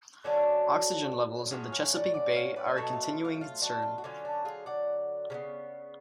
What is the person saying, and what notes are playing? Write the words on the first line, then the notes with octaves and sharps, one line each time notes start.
Oxygen levels in the Chesapeake Bay are a continuing concern.
D3 F#3 C#4 D4 F#4
A2 F#3 C#4 F4 G#4
C#5 F5
D5 F#5
D5 F#5
C#5 F5
B4 D5
B2 F#3 A3 A4 C#5
F4
D4
F4
F4
F4
D4 F#4
F4
F#4
D3 F#3 C#4 F4
D4
F4 G#4
D5 F#5
C#3 F#3 B3